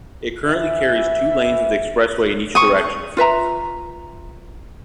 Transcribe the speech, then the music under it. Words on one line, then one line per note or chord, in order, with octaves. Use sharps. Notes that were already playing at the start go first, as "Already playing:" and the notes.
It currently carries two lanes of the expressway in each direction.
E3 E5
A3 C4 C#6 D#6
F4 B4 E5 A#5